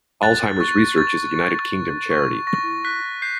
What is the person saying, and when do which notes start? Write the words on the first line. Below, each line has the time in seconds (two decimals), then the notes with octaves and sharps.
Alzheimer's Research is a United Kingdom charity.
0.23 F#6 A6
0.60 C#6
0.98 C#6 A6
1.35 C#6
1.73 C#6
2.11 C#6
2.47 C#6 A#6
2.85 F#6 B6
3.22 G6 C7